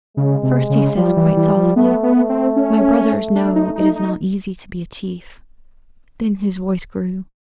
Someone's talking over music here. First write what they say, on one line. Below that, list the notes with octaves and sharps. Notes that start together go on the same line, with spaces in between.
First he says quite softly, "My brothers know it is not easy to be a chief." Then his voice grew.
C#3 G#3
C3
C#3
F3 G3
E3
E3
F3
A3 B3
B3
A3
C4
C#4
D4
D#4
D#4
D#4